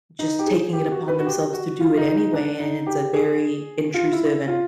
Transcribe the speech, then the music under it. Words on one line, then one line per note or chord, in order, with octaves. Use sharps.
just taking it upon themselves to do it anyway, and it's a very intrusive and
D#4
G4
G#4
G4
F#4
B4
F#4
G4
F#4
F4
D#4
D#4
D4
D#4
G4
G#4
F4
E4
F4